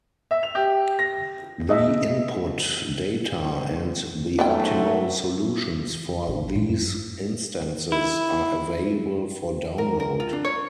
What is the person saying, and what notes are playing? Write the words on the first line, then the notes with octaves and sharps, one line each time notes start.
The input data and the optimal solutions for these instances are available for download.
E5
F7
G4
A#6
G#4 D#5 E5
G#2 F#3 A3 B3 C#4 G5
A1
A2
F#2
E4
A#4
A#4
F4
D4
C#5